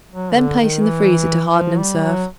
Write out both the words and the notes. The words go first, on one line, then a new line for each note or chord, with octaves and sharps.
Then place in the freezer to harden and serve.
F#3
D3
D#3
E3
F3
G3
F#3